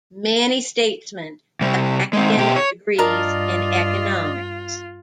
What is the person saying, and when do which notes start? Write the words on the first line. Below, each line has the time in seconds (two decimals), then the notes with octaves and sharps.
Many statesmen have academic degrees in economics.
1.61 C3 G3
2.13 G#3 C4
2.37 B2 G4
2.56 C#5
2.99 G2 D4 F4 A#4 D5 D#5